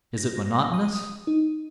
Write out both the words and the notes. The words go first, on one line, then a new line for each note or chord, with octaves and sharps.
Is it monotonous?
A#6
D#6
D#4